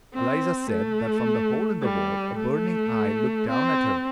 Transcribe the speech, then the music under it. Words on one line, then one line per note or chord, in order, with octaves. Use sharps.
"Eliza said that from the hole in the wall a burning eye looked down at her!"
C4
A3
G3
A3
C4